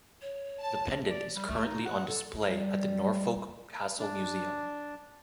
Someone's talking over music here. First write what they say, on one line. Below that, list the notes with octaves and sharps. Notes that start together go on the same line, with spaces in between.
The pendant is currently on display at the Norfolk Castle Museum.
C#5
A5
D5
G3
A3
D#4
F#5
A4
G3
D4